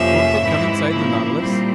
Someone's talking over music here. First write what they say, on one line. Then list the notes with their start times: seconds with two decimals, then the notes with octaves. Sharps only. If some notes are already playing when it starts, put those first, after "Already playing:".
"Won't they come inside the Nautilus?"
Already playing: F2 C3 F3 A#3 C#4 E5
0.40 G#2 E3 G#3 C4 E4
0.90 C#3 F3 A#3 E4
1.38 A#2 G3 C4